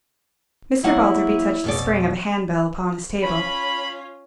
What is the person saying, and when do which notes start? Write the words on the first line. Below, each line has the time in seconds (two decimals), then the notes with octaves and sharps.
Mr. Balderby touched the spring of a handbell upon his table.
0.84 F#3 A#3 E4 F#5
1.64 F2 B2 D5
3.23 C#4 F4 B5